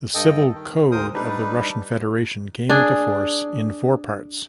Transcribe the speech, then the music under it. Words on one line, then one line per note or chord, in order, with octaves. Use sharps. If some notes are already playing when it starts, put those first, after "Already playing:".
The Civil Code of the Russian Federation came into force in four parts.
G2 A4 D#5 G5
D#3
D2 A#4 C5 D#6
G3 D4 D#4 B4
D4 G#4